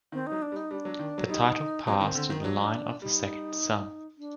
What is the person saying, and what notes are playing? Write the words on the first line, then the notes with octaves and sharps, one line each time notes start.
The title passed to the line of the second son.
D#3 C4
F#3 D#4
D4
G3
D#4
G3 D4
F#3
D#3
F#3
G3 D#4
F#3 C4
D#3
D3
D#3
D#4
F#3 D4
G3 D#4
D4